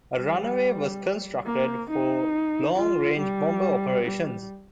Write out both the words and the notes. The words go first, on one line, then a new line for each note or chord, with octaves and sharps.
A runway was constructed for long-range bomber operations.
G3
A#3
D#4
F4
G3
G3